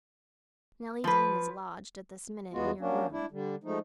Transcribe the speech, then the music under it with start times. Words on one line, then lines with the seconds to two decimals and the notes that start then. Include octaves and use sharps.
Nelly Dean is lodged, at this minute, in your room.
1.04 F3 B4
2.53 E2 G#3 B3 F4 F#4
2.80 F#3 A#3 C#4 D4
3.12 D4 E4
3.31 D3 G3
3.64 F3 G#3 A3 D#4